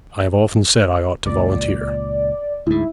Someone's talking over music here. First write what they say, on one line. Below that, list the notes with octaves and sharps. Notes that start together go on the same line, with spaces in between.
I have often said I ought to volunteer.'
C#2 A#2 D5
D2 G#2 E4